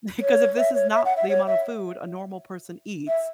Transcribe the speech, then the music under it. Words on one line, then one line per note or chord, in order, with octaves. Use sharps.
Because if this is not the amount of food a normal person eats
C#5
E5
C#5
E5
F#5
E5
C#5
E5
E5